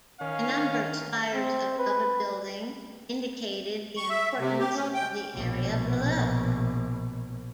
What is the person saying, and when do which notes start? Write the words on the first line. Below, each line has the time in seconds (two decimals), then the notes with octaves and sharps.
The number of spires above a building indicated the importance of the area below.
0.21 D#3 C#4 F5
1.34 C4
1.79 B4
3.97 C#6
4.10 E5
4.39 C3
4.59 G4
4.75 C#4
4.95 G5
5.34 A#1 B2